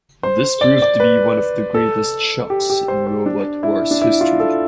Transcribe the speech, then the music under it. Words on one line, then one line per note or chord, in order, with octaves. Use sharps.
This proved to be one of the greatest shocks in Robot Wars history.
C5
D5
D5
B4
A4
G4
G4
C5
C5
D4
E4
D4
E4
F4
A4